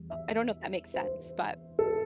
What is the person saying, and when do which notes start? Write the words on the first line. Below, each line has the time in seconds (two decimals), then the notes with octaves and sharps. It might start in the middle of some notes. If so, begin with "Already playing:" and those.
uh, I don't know if that makes sense, but
Already playing: E2 G3
0.10 E5
0.94 C5
1.79 A4